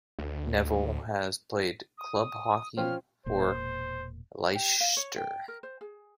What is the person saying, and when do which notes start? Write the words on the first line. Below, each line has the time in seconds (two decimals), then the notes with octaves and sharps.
Nevill has played club hockey for Leicester.
0.19 D2
1.98 D#6
2.77 F3 C#4 F4 C5 G5 F6
3.26 E1 A#2 C5
4.55 G4
4.80 F5
4.97 C#5
5.16 G5
5.48 A#4
5.63 C5
5.81 G#4